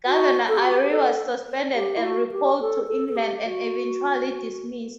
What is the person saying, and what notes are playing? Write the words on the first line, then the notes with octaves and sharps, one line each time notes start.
Governor Eyre was suspended and recalled to England and eventually dismissed.
F#4
A4
G4
F#4
G4
G4
A4
G4
E4
F#4
G4
A4
A4
A4
G4
F#4